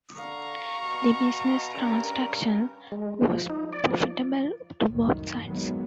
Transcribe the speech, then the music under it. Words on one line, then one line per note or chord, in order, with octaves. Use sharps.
The 'business transaction' was profitable to both sides.
D3 F5 A#5 C#6
B2
G2 C#4 A#4
G#3
F3
D#4
D5
F3
C2 F#2 A2 D#3
D#3 F#3 G#3 A#3 B3